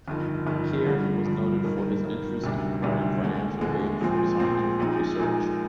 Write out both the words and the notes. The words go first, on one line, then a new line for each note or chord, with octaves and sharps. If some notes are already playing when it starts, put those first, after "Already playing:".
Caird was noted for his interest in providing financial aid for scientific research.
G1 F2 D#3
G1 F2 D#3
G2 D3 F3
G2 D3 F3
G2 D#3 A#3
G2 D#3 A#3
D2 C3 D#3 G3 D4
D2 C3 D#3 G3 D4
D#2 D3 G#3
D#2 D3 G#3
A#1 A#2 F3 G#3 C4
A#1 A#2 F3 G#3 C4
A#1 A#2 G#3 D#4
A#1 A#2 G#3 D#4